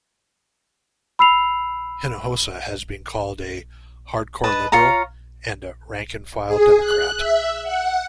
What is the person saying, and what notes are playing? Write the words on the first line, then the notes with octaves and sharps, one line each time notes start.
Hinojosa has been called a "hard-core liberal" and a "rank-and-file Democrat".
B5 E6 C7 F7
B4 D#5 A5
F4 C#5 F5 A#5
G#4
F#6
E5
F#5